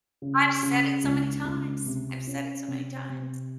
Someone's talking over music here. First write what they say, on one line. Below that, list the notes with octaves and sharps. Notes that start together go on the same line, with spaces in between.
I've said it so many times. I've said it so many times.
C#3
C#3
C#2
C#2
C3
C#4
C3
C3